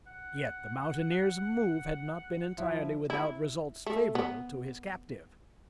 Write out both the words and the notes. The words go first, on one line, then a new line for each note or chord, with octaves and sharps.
Yet the mountaineer's move had not been entirely without results favorable to his captive.
F#5
F3 E4
E4
A3
B3